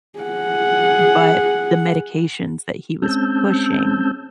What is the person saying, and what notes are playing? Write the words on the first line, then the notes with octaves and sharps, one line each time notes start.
but the medications that he was pushing
G#4 F#5
G#3 C4 C#4 A5 E6 G6